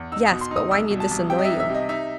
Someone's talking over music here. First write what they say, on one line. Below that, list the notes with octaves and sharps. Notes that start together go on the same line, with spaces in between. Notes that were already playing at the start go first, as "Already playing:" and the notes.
"Yes; but why need this annoy you?"
Already playing: E2
D#4 E6
D#6
B2
C6
D#4
D#6
C2 E6
B2
A5
C2
C3 G5
D#5
E5
D#4
E5
C3 D#5
D#4 E5